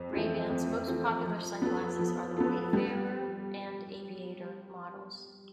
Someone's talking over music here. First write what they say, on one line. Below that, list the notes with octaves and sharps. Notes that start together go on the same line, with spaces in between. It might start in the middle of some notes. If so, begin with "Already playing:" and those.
Ray-Ban's most popular sunglasses are the "Wayfarer", and "Aviator" models.
Already playing: F2
E3 A3 C4 F4
F2
E3 A3 C4 F4
F3
B3 F4 A4
F3
B3 F4 A4
G3